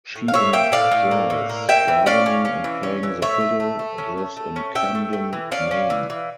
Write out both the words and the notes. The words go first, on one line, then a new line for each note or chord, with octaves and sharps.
She enjoys gardening and playing the fiddle, and lives in Camden, Maine.
A2
F5
A2 C#5 E5
A#3 E5 G5
A2 D5 F5
A2
A#3
A2
A#3
A#3 E5 G5
E3
C#4 D5 F5
C#4
C#4
E3
C#4
E3
A3 C#5 E5
A3
A3
A3
C#4
A3
A3
C#4
C#4 E5 G5
A3
A3
E3
C#4 D5 F5
C#4
E3
E3